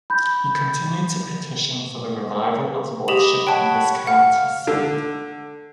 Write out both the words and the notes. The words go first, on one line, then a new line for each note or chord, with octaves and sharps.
He continued to petition for the revival of the lordship and viscountcy.
B5 G6
G4 D#5 B5 F7 F#7
C#5 F#5 G5 A5 B5
F5 F#5
D3